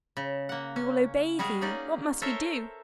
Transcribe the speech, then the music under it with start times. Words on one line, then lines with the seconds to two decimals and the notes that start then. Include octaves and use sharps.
We will obey thee, what must we do?
0.17 C#3
0.49 A#3 F#5
0.76 C#4
1.39 G3 G#3 F#4 G#4 F5
1.61 A#3 C#4 D#4 D5
2.22 A4 A#4 C5 C#5 E5